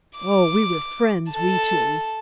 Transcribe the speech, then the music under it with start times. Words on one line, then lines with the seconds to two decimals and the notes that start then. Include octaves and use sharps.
Oh, we were friends, we two!
0.18 D6
1.32 A4 A5